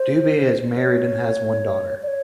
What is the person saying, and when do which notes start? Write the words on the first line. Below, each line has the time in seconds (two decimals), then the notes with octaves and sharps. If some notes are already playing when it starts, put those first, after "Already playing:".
Dubey is married and has one daughter.
Already playing: C5
0.76 C#5
2.03 D5
2.08 C#5